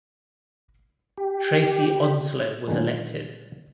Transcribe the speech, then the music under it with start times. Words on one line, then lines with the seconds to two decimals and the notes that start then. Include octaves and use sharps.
Tracey Onslow was elected.
1.17 G4
2.68 A#2 D3 D#3 F#3 G#3